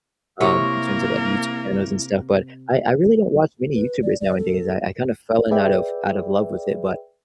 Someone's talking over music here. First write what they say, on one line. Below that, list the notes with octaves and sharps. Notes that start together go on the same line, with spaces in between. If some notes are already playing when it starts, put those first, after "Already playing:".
um, in terms of, like, YouTube channels and stuff, but I I really don't watch many YouTubers nowadays. I I kind of fell in out of out of love with it, but,
C3 A#3 E4 A#4 C#5
B4
D5
D5
A4
G#4 B4 D5 E5 G5